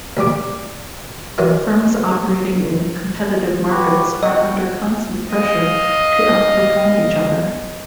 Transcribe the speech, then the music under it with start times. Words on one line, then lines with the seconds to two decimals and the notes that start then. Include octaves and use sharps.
Firms operating in competitive markets are under constant pressure to out perform each other.
0.17 D2 G3 D6
1.38 D#3 E3 F#3
3.69 F#4 G4 B4
4.23 F#4 D#5 F#5 G5
5.31 D#5 F5